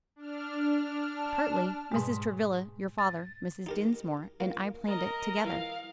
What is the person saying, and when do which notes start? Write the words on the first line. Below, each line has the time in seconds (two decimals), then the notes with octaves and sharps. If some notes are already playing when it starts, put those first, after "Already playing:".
"Partly, Mrs. Travilla; your father, Mrs. Dinsmore, and I planned it together."
0.16 D4 F6
1.17 A5
1.92 G#2 B2 G#3
2.98 A6
3.66 D#4 G4 A#4
4.40 A#3 F4
4.87 A#4 D#5
5.45 E3 F5